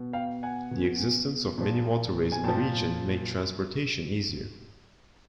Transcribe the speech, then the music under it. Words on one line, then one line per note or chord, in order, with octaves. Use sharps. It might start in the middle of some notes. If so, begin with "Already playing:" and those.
The existence of many waterways in the region made transportation easier.
Already playing: B2
F5 G5
F#5 G#5
B2
A#2 F3
G#5
A#2 F3 G5 A5